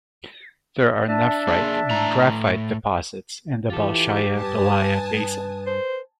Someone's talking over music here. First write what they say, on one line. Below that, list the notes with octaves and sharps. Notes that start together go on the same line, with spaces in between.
There are nephrite and graphite deposits in the Bolshaya Belaya basin.
D4 E5 A5
A#3 G#4
A2 A#5
E3 F4 G4 A4
G2 B4 G#5 A5 D#6
C5